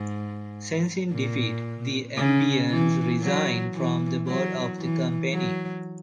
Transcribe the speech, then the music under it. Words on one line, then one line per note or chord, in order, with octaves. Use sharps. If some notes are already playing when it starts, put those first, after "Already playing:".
Sensing defeat, the Ambanis resigned from the board of the company.
Already playing: G#2
A#2
C#3
E3
F#3
E3
F#3
E3
F#3